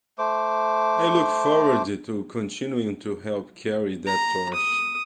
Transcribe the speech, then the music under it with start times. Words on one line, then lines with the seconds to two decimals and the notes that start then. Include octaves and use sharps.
I look forward to continuing to help carry that torch.
0.18 A3 C5 D6
4.06 A#5
4.54 D#6